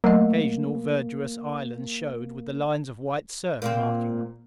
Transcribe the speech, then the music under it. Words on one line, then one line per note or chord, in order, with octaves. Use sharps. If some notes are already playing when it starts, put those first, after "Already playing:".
Occasional verdurous islands showed, with the lines of white surf marking them.
F#3 A3 A#3 D#5
A#2 A#3 C4